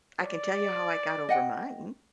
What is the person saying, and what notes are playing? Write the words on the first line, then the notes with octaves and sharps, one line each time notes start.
I can tell you how I got over mine.
C#5 D5
D#5 F#5 G5